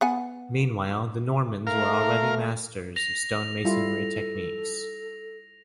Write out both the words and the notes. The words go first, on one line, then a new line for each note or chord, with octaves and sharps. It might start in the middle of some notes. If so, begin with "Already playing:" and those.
Meanwhile, the Normans were already masters of stonemasonry techniques.
B3 F#5 G#5
A3 A#4 F5
A#6 F7
G3 E4 F4 A4